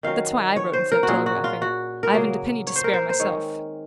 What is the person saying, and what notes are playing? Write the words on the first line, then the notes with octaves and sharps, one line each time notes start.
"That's why I wrote instead of telegraphing; I haven't a penny to spare myself!"
D#3 F#3 C#4 F5
C#5
C5
A#4
F#4
A#2 F#3 C#4 G#4
F#4
F4
F#4
A#4
C#3 F#3 A#3 G#4
C#5
C5
A#4
C5
C5
D#3 G#3 C4 C#5